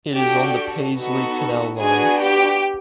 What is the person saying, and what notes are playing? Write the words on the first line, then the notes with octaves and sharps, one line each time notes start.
It is on the Paisley Canal Line.
D4 F#4 G4 A4 G5
B3 D#4 F#4 A4
B3 D4 F#4 G#4 G#5
G4 G5